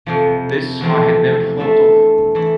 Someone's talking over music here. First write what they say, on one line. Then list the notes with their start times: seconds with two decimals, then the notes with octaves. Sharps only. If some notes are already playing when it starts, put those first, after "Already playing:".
This I had never thought of.
0.06 F2 C3 F3
0.81 E2 C3 F3 A3 C4
1.58 A3 D4 A4 C5 E5
2.35 E3 A3 E4